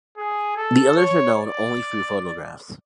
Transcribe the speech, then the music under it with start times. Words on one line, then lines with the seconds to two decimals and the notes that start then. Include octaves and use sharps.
The others are known only through photographs.
0.18 G#4
0.57 A4
0.97 C#5
1.38 D5